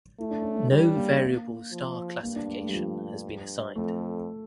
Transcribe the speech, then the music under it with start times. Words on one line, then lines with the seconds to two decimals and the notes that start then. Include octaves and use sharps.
No variable star classification has been assigned.
0.20 A3 E4
0.31 D4
0.42 C#4
0.54 D4
0.70 G3 D4
0.96 A#3
1.72 F3
2.23 G2 A#3
2.36 D4
2.49 A#3
2.61 A3
2.69 G3
2.74 F3
3.75 F2 A3